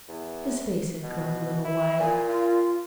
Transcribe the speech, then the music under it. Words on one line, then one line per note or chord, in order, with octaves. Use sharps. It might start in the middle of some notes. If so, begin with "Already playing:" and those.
His face had grown a little white.
E2
B2
E4
A#2 G#5
F4